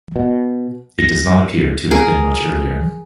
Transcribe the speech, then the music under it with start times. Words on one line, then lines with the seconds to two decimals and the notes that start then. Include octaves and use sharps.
It does not appear to have been much earlier.
0.16 B2
0.99 A#6
1.91 G#4 A#4